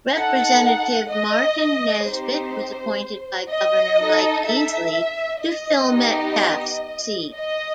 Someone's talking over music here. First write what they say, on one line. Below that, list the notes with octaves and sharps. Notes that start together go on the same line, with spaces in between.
Representative Martin Nesbitt was appointed by Governor Mike Easley to fill Metcalf's seat.
D#4 A4 F#5
D#5
C4 D#4 G4 C5
D#5
D#4 A4
E5
D#5
B3 D#4 G4
D#5